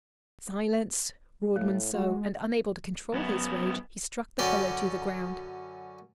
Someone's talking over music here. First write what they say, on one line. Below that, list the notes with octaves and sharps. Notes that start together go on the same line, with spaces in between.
"Silence!" roared Monceux; and, unable to control his rage, he struck the fellow to the ground.
A2 A3
G#3 F#4
F#2 B3
F#2 D3 C#4 D5 G5